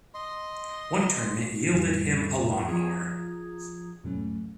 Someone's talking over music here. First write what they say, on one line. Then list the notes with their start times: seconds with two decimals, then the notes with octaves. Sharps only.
One tournament yielded him a lawnmower.
0.14 D#5 C6
1.71 F2 A2 G3
2.68 F3 F4 G#4 A#5 D#6 G#6
4.04 E2 G#2 B2 F#3 A3 C#4